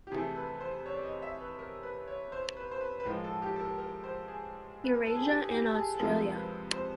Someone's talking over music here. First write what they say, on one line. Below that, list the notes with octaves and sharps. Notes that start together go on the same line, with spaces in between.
Eurasia and Australia.
G4
C3 E3 A3 G#4
B4
C5
C#5
D5
D#5
E5
B4
A#4
B4
C#5
C5
B4
C5
B4
B4
A2 F3 G#3 A#4
A4
G4
A4
A#4
A#4
C5
G#4
B4
A#4
A4
G#4
G4
G#4
G4
A4
G#4
A4
F2 C3 F3 G#3 A#4
B4
C5